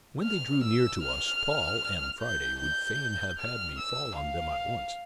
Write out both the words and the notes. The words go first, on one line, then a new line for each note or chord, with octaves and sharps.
When they drew near to us, Paul and Friday would fain have had me fall on them at once.
F6
E6
F6
G6
G6
F6
E6
F5